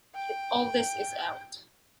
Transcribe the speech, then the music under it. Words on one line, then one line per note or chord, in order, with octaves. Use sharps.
All this is out.
G5